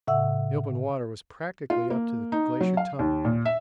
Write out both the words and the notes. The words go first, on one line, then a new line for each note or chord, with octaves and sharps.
The open water was practically up to the Glacier Tongue.
A2 C#3 E5 F#5 E6
F4
A#3
D#4
F#3
F5
D#2
A#2
E5